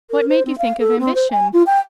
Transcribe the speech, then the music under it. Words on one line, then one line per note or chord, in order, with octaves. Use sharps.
What made you think of ambition?
A#4
C5
C4
F5
A4
C4
C5
G#5
F4
G5